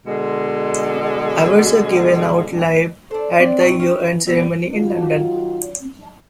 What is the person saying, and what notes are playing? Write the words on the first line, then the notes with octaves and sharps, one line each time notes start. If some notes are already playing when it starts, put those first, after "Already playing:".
Awards are given out live at the year-end ceremony in London.
B2 D3 G#3
D4 A4 C5
C4 D4 D5
B2 F#3
C#4 B4 G5
E3
B2 G3 B3 C4
D#3 F#3 F4